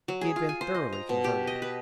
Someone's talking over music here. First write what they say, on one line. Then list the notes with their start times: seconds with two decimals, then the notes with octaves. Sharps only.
He had been thoroughly converted.
0.08 F#3
0.21 G#4
0.36 F4
0.49 G#5
0.61 C5
0.75 D#5
0.93 A#5
1.09 B2
1.24 G4
1.47 D#5
1.62 B4